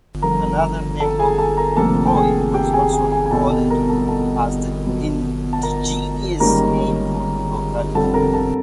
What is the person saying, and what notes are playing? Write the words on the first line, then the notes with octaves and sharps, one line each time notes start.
Another name, "Bobroi", was also recalled as the indigenous name for the locality.
G2 D3 F3 A#4 A#5
A4 A5
G#4 G#5
A4 A5
A#4 A#5
D2 C3 F3 A#3 A4 A5
G5
G#4 G#5
G4 G5
G#4 G#5
G#4 G#5
G#4 G#5
G#5
C2 B2 G3 C4 A4 A5
A4 A5
A#4 A#5
A4 A5
A4 A5
B2 F#3 B3
A5
A#4 A#5
G#2 D#3 G3 A#3 C#4 A#4 A#5
F2 D3 G3 C4 A4 A5
A#4 A#5
A4 A5